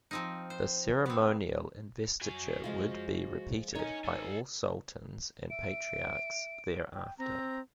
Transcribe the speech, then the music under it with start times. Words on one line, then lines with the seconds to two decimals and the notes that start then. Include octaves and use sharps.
This ceremonial investiture would be repeated by all sultans and patriarchs thereafter.
0.11 F3 C4 D#4
0.50 C5
1.06 B3 C4
2.22 F#4 G#5
2.64 F3 G#3 F4
3.75 D#4 A#4 C#5 G#5
4.05 A4 G#5
5.50 E5 D7
6.94 G5
7.19 C4 A#5